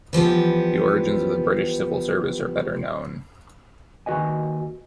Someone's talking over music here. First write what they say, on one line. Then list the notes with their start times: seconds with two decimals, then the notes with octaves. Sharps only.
The origins of the British civil service are better known.
0.13 E3 F3 G3 B3
4.06 D#2 F#4 B4 D#5 G#5